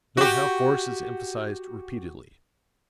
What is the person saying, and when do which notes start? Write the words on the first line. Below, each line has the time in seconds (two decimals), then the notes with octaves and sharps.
Note how force is emphasized repeatedly.
0.17 F#4 G4